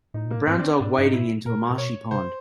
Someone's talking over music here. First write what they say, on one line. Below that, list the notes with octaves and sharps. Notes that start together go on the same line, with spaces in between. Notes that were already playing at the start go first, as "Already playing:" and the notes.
A brown dog wading into a marshy pond.
A2 D#4
A#2
A#3
A2
G#2 C4
D4
C#4
G#2 D4
G2 D#4
G#2
A2 E4
A#2 A#4
A#2
B2 C#5
C3 C5